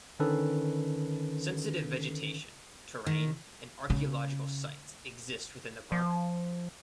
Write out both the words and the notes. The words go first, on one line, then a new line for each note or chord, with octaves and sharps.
Sensitive vegetation, terrain, and archaeological sites exist within the park.
D3 D#3 C#4 A4 B4
D#3
C#3
F3